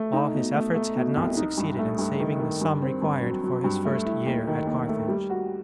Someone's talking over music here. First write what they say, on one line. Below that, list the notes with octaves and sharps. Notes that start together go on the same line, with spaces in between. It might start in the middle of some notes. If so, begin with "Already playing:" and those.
All his efforts had not succeeded in saving the sum required for his first year at Carthage.
Already playing: A3
D#4
B2
A3
A3
B2
C2
D#4
G2
A3
G2
D#3
D#3
G2
C4
G2
F#3
F#3
G2
A3
E4
D#2
D#3
D#2
A3
G3
F#4